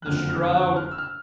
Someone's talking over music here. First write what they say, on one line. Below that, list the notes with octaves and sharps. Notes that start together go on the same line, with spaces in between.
The shroud!
F#6
F#1 F2 D3 F3 F6
F6
F#6
F6
E6
F6